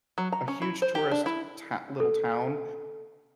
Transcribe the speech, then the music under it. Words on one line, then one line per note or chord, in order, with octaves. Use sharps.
a huge tourist, eh, tow little town,
F#3
A#5
C#4
E4
C5
G4
D4
E4
A4